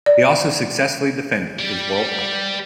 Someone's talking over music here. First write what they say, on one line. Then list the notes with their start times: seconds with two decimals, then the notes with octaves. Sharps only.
He also successfully defended his world title.
0.06 D5
1.59 G3 G4